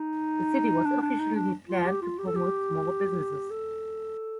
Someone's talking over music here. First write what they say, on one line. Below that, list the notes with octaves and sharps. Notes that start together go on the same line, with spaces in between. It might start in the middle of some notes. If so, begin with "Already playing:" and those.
The city was officially planned to promote small businesses.
Already playing: D#4
D4
D4
D#4
D4
F4
G4
F4
G4
A4
G4
A4